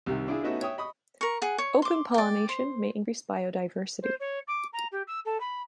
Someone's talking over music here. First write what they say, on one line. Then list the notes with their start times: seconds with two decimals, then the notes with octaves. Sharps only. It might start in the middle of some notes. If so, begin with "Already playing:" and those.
Open pollination may increase biodiversity.
0.06 C2 C3 D#3
0.28 D4 E4 F4 G#4
0.43 A3 B3 C#4 D#4 F#4 E5
0.61 C#5 E5 G5 D#6
0.78 D#5 B5 C#6 D#6
1.21 A#4 C#6
1.42 G#4 F#5
1.58 C#5
1.82 C6 D6
2.14 D5 G5
2.49 C5
4.03 C5
4.20 C#5
4.48 D6
4.73 A#5
4.92 G4
5.07 E6
5.25 A4
5.41 B5